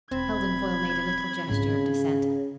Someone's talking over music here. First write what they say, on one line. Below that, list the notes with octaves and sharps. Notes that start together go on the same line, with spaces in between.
Heldon Foyle made a little gesture of dissent.
E1 C4 B5 G#6
G#2 C#3 F4